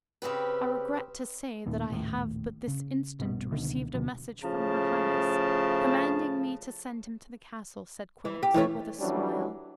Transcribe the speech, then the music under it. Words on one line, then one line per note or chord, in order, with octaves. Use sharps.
"I regret to say that I have but this instant received a message from her highness, commanding me to send him to the castle," said Quinnox, with a smile.
C#3 C4 G4 B4
D#2 A#2 D#3
A#1 D#2 A2
C#3
A#1 G2 B2
C#2 B2 D3 D#3
D2 B2 D3 F3
A2 C#3 F3 A5
E3
G4
E3 G3 A3 C#4
F2 E3 F#3 G3 C#4 D4